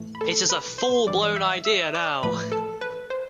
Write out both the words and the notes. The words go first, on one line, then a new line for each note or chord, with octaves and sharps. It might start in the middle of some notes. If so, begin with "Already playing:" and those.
It is a full blown idea now.
Already playing: A2 E3 A3
B5
A4 A5
B4 B5
C5 C6
G2 E3 G3 D5 D6
E5 E6
E5 E6
D5 D6
A2 F3 A3 B4 B5
A4 A5
B4
C5